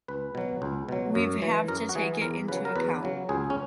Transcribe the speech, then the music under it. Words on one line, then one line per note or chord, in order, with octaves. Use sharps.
We’ve have to take it into account.
C#2 B4
B2 F#3
C#2
B2 F#3
F#2
E3
F#2 A#4
F#4
E3 G#4
E2 A#4
C#3 F#3 B4
A#4
E2 B4
C#3 F#3
C#2 G#4
C#4